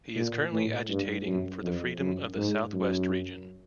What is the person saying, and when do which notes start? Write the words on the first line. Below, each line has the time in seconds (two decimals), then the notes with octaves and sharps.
He is currently agitating for the freedom of the south west region.
0.15 A#2
0.52 A2
0.89 G2
1.26 F#2
1.63 F2
1.99 F#2
2.36 G#2
2.73 F#2